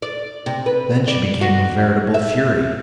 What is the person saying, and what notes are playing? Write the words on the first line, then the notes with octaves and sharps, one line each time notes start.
Then she became a veritable fury.
D5
C3
B4
D5
F#4
E5